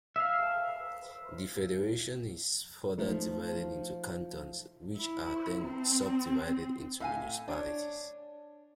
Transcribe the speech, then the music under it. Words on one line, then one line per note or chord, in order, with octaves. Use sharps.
The Federation is further divided into cantons, which are then subdivided into municipalities.
E5 F5
F3 A3 D#4
E4
C4
A2 F5 G#5
D4 C#5